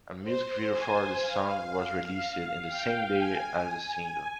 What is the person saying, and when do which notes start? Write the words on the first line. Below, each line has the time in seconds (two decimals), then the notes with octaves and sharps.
A music video for the song was released the same day as the single.
0.22 C5
0.72 G#5
1.20 F5
2.68 G5
3.16 G#5